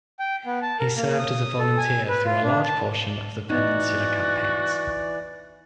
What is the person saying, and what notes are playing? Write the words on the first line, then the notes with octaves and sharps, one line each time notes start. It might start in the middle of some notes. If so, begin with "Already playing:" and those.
He served as a volunteer through a large portion of the Peninsular campaigns.
G5
B3
A5
A#4
A#3
D#6
A4
G#5
B4
F4
D4
A5
E3 B3 D#4 F#4 D5